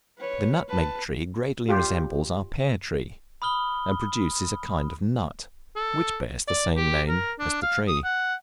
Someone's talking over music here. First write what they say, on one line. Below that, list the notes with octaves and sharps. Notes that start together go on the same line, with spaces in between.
The nutmeg tree greatly resembles our pear tree, and produces a kind of nut, which bears the same name as the tree.
B4 C#5
B4 A5
F4 G4
B5 D#6 F6 G7
A4
D5
G4
A#4
D4
F5
D#6
F#5